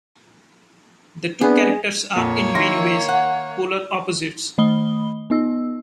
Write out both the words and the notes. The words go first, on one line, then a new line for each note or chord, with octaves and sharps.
The two characters are, in many ways, polar opposites.
B3 C4 D4 G#4 D5
F2 A#2 A#3 C#5
D#3 E4 C6 A#6
F#5
D#3 A3 D#5 B5 D#6 G7
B3 D#4 D#5 E6